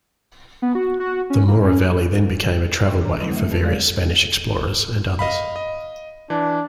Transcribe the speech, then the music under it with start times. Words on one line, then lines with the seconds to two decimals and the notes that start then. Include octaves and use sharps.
The Mora Valley then became a travel-way for various Spanish explorers and others.
0.62 B3
0.75 F#4
1.00 F#4
1.30 C#4
1.48 A#3
1.63 C#4
2.85 D5 D#5 G5 C6 C#6
3.01 E3 D4 A#4 A#5
3.21 D3 F#3 G#3 C4 C#4 E4
3.32 A3 E5
3.49 G#4 B4 A5
3.64 G#3 C4 G4 C#5 D5 F5
5.19 D#5 F5 B5
5.56 D#5
6.30 E3 D4